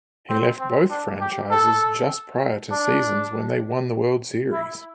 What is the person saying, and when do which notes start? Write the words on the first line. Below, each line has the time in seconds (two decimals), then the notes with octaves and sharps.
He left both franchises just prior to seasons when they won the World Series.
0.29 C4
0.60 C4
0.90 D4
1.21 G4
1.51 A4
2.71 D4
4.52 E4